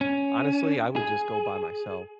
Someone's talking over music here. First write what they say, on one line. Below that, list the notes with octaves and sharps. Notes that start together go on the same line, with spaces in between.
Honestly, I would just go by myself,
C#4
G#4